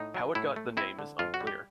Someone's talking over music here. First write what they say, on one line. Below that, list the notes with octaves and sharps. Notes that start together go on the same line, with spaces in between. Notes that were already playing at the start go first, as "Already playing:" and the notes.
How it got the name is unclear.
Already playing: A2 D#4
F#3
A2 E4
A3
C4 E4
D3
F2 F4
F#4
G3
G4